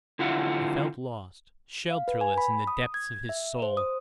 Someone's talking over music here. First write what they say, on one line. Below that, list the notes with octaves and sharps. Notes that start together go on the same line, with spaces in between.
He felt lost, shelterless in the depths of his soul.
D3 E4 F4 F#5
F5
B4
G#5
B5
D#6
G#6
E5
C5
D#6